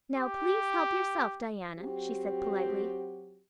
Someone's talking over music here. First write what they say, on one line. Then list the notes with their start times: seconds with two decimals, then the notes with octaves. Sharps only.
"Now, please help yourself, Diana," she said politely.
0.16 G4
1.79 F#3 C4 F#4 G4